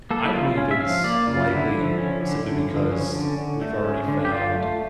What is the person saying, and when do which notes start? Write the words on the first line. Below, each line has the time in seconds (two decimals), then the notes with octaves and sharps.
I believe it's likely simply because we've already found,
0.11 A#3 A4
0.25 E4
0.34 C#3 F4
0.57 C#4
0.71 E5
0.81 F3 F5
1.04 A#3 D5
1.27 C#3 F4
1.51 D3 E4
1.74 F3
1.98 C#4
2.21 D3
2.44 D3
2.68 F3
2.91 C#4
3.15 D3
3.38 D3
3.62 A3
3.85 C#4
4.08 D3
4.25 G4
4.31 D3 F4
4.55 A3